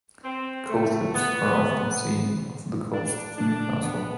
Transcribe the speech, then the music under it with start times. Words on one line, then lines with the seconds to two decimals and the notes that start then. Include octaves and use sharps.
Coal ships are often seen off the coast of Newcastle.
0.24 C4
0.69 A3
1.14 B3
2.94 D4
3.38 D4
3.83 B3